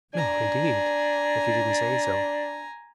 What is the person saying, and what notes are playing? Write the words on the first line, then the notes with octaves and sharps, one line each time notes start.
"No, indeed, if you didn't say so."
D4 G#5 A#5